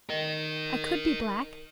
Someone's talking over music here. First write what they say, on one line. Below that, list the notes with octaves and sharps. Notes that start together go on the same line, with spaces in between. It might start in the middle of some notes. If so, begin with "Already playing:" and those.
I could be black.
A#4 D#5